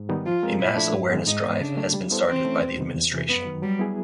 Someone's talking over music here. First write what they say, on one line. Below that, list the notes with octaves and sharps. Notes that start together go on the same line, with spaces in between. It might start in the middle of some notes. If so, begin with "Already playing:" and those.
A mass awareness drive has been started by the administration.
Already playing: G#2
D#3 G3 B3 D#4
F3 F4
G#3 C4 F4 A#4
A#2 E4
F3 A3 D4
G#2
D#3 G#3 B3
G#2 D#4
E3 G#3 B3
C#3 D4
F#3 A3
G3
B3 E4 A4 C5
E3 C4
A3 C#4 E4
E2
C3 D#3 G3 B3
E2
C3 E3
F#2 B3
D#3 F#3
F#3 G3
B3 E4 G#4